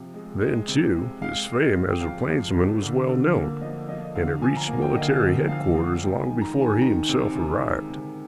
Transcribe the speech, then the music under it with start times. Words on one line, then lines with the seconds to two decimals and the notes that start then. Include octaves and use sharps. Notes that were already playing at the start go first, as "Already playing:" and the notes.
Then, too, his fame as a plainsman was well known, and it reached military headquarters long before he himself arrived.
Already playing: C3 F3
0.14 G#3
0.41 G#3
0.68 C3
0.95 C3
1.21 G#3 F5
1.48 G#3
1.62 D#5
1.74 C3
1.90 G5
2.01 F2 F5
2.27 F3
2.55 F2
2.81 D3
3.08 D3
3.35 A#3
3.61 F3 D#5
3.88 F3 D#5
4.04 D#5
4.15 D3 F5
4.42 F3 G#5
4.57 A#5
4.61 G#5
4.68 A#3
4.82 G5
4.95 D3 D#5
5.01 F5
5.21 D3 D#5
5.49 F3 F5
5.75 F3
6.01 G#3 G5
6.22 G#5
6.29 D#3
6.41 A#5
6.55 D#3
6.61 G#5
6.81 D#3 A#5
7.09 C3
7.35 C3
7.62 G#3
7.89 C3